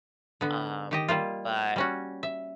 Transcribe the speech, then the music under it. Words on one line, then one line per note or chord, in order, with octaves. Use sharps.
um, but
D3 B3
D#3 G4 D#5
G3 A#3 F4
G3 C#4 F#4
E5